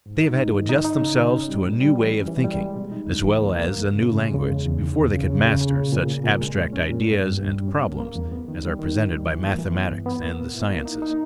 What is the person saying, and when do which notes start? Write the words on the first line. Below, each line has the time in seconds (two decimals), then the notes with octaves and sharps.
They have had to adjust themselves to a new way of thinking, as well as a new language, before they could master such abstract ideas and problems as are presented by mathematics and the sciences.
0.06 G#2
0.21 D#4
0.38 G#2
0.53 D#3
0.69 D#4
0.85 D#4
1.01 C#3
1.17 D#4
1.33 C#4
1.48 G3
1.64 A#2
1.81 G3
1.97 E3
2.12 C#4
2.28 E3
2.44 G3
2.60 G#3
2.76 B2
2.91 D#4
3.07 C#2
3.24 E3
3.39 A#3
3.55 A#3
3.72 G2
3.87 C#3
4.02 C#3
4.19 G#3
4.34 C#3
4.51 E2
4.66 E2
4.83 D#3
4.98 E2
5.14 C#3
5.30 C#3
5.45 C#3
5.61 C#3
5.77 A#2
5.93 A#2
6.10 A#3
6.25 A#2
6.41 G#3
6.57 A#2
6.73 C#4
6.88 A#2
7.05 G2
7.21 G2
7.37 G2
7.53 G3
7.68 C#4
7.85 A#3
8.00 A#3
8.15 E2
8.32 B3
8.48 D#3
8.63 G3
8.79 D#3
8.95 G#2
9.12 G3
9.27 E3
9.43 A#3
9.58 E3
9.75 B3
9.91 G2
10.06 B3
10.23 A#3
10.39 A#2
10.54 E4
10.70 A#3
10.86 D#4
11.02 D#4